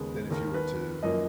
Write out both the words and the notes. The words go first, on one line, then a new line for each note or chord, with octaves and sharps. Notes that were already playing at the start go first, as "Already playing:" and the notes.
than if you were to
Already playing: D#2 C#3 G#3 B3
D#2 D#3 A#3 A#4
B4
F#2 F3 A#3 D#5